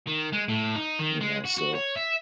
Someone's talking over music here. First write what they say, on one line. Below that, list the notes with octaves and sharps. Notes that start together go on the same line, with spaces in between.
you know, so
D#3
G#3
A2
D#4
D#3
G#3
F#4
F#4
C#5
E5